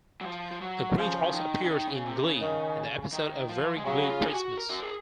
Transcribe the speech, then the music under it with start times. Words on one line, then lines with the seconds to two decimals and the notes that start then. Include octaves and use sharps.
The Grinch also appears in "Glee" in the episode "A Very Glee Christmas".
0.21 F#3
0.25 F3
0.51 F3
0.61 F#3
0.98 C#3 F3
1.24 C#3
1.33 D#3
1.60 C#3
1.69 D#3
1.88 C#3
2.06 C3
2.23 C#3
2.41 D#3
3.13 D#3
3.49 F3
3.78 G#3
3.85 C#3 F#3
4.03 F#4
4.10 F4
4.24 G#4
4.34 F#4
4.58 A#4
4.70 F#4
4.82 G#4